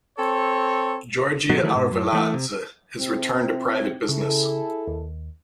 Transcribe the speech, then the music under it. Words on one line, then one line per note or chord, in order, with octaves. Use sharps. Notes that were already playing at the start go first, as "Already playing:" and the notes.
Giorgi Arveladze has returned to private business.
C4 A4 C#5
G1 B2 F#3
D#3 E3 F#3 A3
G#2 B2
F#2 A2
E3 A3
C3
C3 C4
C#3 E4 G#4 A4
D#2